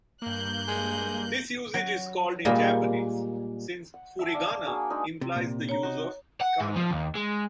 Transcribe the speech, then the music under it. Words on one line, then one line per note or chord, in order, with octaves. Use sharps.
This usage is called in Japanese, since "furigana implies the use of kana".
G2 A#3 F#6 G6
G#3
F#3
A#2 G3 G#3 A#3
F#5
E5 A5
D5 F5
A#3 D4 F#4 G#4
G#3 A#3 D4 D#4
C3
A#2
C#5 A#5
D#4 F#4
F#5
G#2
F3
D#2
G#3